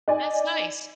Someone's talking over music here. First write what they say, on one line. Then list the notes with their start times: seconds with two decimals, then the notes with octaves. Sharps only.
That's nice.
0.08 D#4 D5 G#5